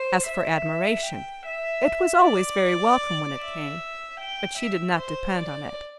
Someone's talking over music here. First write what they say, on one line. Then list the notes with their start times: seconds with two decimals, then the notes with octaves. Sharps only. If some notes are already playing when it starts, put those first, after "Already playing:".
As for admiration, it was always very welcome when it came, but she did not depend on it.
Already playing: C5
0.28 E5
1.06 G5
1.46 E5
2.24 D5
3.40 E5
4.20 G5
4.58 E5
4.97 C5
5.37 D5